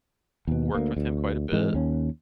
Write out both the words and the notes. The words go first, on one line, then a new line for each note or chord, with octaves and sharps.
worked with him quite a bit,
D#2 B2
D2 A#3
D2
G#2 E3 G#3 C4
D#2 C#4